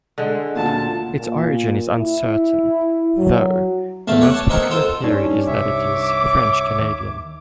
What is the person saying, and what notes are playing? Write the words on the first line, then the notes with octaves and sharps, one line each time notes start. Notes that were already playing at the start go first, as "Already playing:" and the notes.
Its origin is uncertain, though the most popular theory is that it is French-Canadian.
D3 G#3
D2 A#2 A5
A#2
E4
F#3
E2 A3 F5 A5
C#5 D5 F#5
A5
C4 D#4 A#4 F#5
F4 A4 C5
G2 C#4 D#4 G4 D5
C2 G2 C#5 E5 D6
D#2